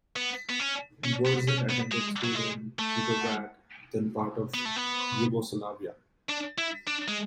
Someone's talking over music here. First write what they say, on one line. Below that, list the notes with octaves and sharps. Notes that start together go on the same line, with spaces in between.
Burzan attended school in Titograd, then part of Yugoslavia.
B3
B3
C#4
C#4
B3
C#4
B3
G#3
F#3
G#3
A3
B3
A3
B3
D4
E4
D4
G#3